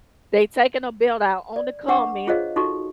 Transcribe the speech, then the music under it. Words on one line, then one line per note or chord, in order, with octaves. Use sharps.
They taking a belt out on the comment,
D5
D4 B4 F#5 C#6 D6
F4 G#4 C5 C#5 D#5 F5
D#4 F#4 A4 C#6